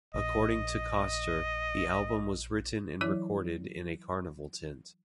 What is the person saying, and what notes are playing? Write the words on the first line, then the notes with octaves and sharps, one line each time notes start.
According to Koster, the album was written and recorded in a carnival tent.
A#1 D#5
E3 F#3 E4 C#5